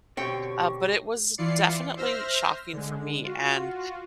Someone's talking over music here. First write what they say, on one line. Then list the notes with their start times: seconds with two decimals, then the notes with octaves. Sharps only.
uh, but it was definitely shocking for me. And
0.17 B2 D3 C4 G4 C#5 G5 C#6
1.38 E3 E4 F4 D5 C7 C#7
1.97 C5 E5 E6 F6 A#6
2.73 D3 G#3
3.24 F4 F#4